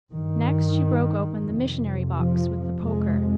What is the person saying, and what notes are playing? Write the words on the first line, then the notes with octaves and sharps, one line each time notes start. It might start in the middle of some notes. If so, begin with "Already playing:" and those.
Next she broke open the missionary-box with the poker.
G2 D#3
F2 C3
F3
F2 C3 G#3